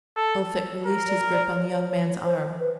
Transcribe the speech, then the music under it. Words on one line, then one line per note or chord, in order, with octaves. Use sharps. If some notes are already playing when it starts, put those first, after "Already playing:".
Elphick released his grip on the young man's arm.
A4
A#4
D5
D5
C#5
C#5
C#5
C#5
C5
B4